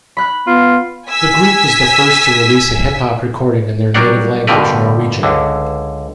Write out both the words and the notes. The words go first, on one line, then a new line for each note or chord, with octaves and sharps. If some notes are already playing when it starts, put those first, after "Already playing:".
The group was the first to release a hiphop-recording in their native language, Norwegian.
B5 F#6
B3 F4
G#5 E6 B6
F#3 G3 D4 A#4 F#5
G2 B2 D3 G3 A#4 B4
C#2 D3